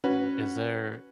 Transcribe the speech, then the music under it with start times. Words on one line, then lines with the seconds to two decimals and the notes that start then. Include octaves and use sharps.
is there
0.04 C#4 F#4 B4